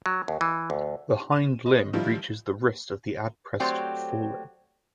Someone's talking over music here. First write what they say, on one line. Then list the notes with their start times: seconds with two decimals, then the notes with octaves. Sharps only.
The hind limb reaches the wrist of the adpressed fore limb.
0.06 F#3
0.28 D#2
0.41 E3
0.70 D2
1.32 D#7 E7
1.66 D#5
1.93 D#3 F3 G3 E4 F4
3.60 F#3 A3 C4 G4 C5 D5